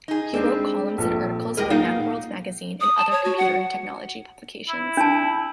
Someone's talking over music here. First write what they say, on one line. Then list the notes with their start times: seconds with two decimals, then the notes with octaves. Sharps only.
He wrote columns and articles for "Macworld" magazine and other computer and technology publications.
0.08 D#4 G#4
0.34 G3 G#3 C4 D4
0.98 A#1 A4
1.57 G3 G#3 G4 A#4 D#5
1.70 A#2 B3 D#4 F5
2.81 D#6
2.97 A5
3.11 C#5
3.24 F#4
3.38 F#5
4.69 E4
4.97 D4 A5